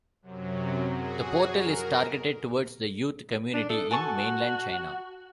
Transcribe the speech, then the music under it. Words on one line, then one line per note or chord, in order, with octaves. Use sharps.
The portal is targeted towards the youth community in Mainland China.
F#2 C3 F#3
F#4 G#4
A#4
D4
A4 D#6
F#4 G#5 A5 C#6